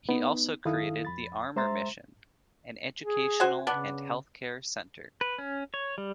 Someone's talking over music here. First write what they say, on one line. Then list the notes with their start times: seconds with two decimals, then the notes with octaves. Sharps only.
He also created the Armour Mission, an educational and healthcare center.
0.09 B3 D#4
0.65 F#2 D#3 E4 A4 F5 D#6
1.05 F2 B5 A6
1.56 G#3 C5 E5 A#5 C6 A6
3.02 G#4
3.40 F#4 C5 G#5
3.67 C#3 B3 D4
5.21 B4
5.38 C#4
5.74 C#5
5.98 G3